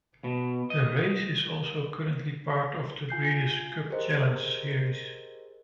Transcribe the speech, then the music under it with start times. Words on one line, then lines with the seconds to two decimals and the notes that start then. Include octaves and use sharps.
The race is also currently part of the Breeders' Cup Challenge series.
0.24 B2
0.70 D#5
3.09 F4 G#5 G6 C7
3.90 G4 G#4 A#4 C5 D#5